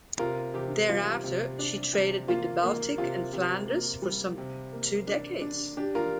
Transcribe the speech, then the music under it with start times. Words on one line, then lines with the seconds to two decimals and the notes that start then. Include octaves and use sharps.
Thereafter she traded with the Baltic and Flanders for some two decades.
0.19 C3 F4 A#4
0.54 C3 G4
0.89 G3 F4
1.24 C3
1.59 D4
1.93 C3
2.28 A#3 F4
2.63 A#3
2.98 C3 F4
3.33 C3
3.68 A#3
4.02 G3
4.38 C3
4.73 A#3
5.07 D4
5.41 D4
5.77 D4 G4
5.95 F4 A#4